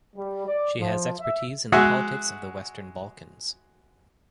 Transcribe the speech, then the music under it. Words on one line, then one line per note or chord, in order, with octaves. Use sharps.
She has expertise in the politics of the Western Balkans.
G3
D5
F3
E5
G#3 F#4 G#4 E5 F#5